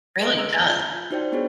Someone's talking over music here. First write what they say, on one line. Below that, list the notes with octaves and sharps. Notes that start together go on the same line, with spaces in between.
Really does.
G#4 B4 D#5 C6 D7
A#5 E6
F4
G6
D#4 F#4 C5 D5 G5
B3 D4 F4 G#4 C5 C#5